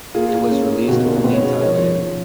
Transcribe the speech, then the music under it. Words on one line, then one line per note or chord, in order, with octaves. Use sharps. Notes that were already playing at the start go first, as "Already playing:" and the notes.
It was released only in Thailand.
A#3 F4 G#4
A#3
C#4
A#3
B2 F#4 A#4
B2
B2 B4
C#5
C#4 G#4 B4
F3 A#4 C#5
F3
F3